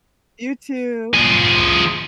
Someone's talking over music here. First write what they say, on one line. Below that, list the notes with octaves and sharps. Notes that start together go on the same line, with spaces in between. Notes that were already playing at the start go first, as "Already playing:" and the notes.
You too.
F3 G#4